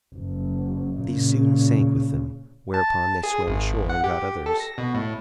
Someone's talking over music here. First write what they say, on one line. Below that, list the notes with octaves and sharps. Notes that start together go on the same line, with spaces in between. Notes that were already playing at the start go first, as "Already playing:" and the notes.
These soon sank with them; whereupon they swam ashore and got others.
F#1
A#2 C#3
A5
G#4
G#1
F#5
G4
A4
A#6
B2
A2